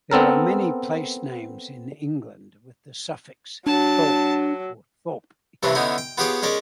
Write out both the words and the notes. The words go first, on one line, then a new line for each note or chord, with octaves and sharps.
There are many place names in England with the suffix "-thorp" or "-thorpe".
B3 C4 A4 A#4
F#3 D4 A5
G2 C3 E3 C#4 D4
D3 B3 C#4 D#4 E4
G5
B3 F4 G4 G#4 C#5 G5
G#3 C#4 A#4 D5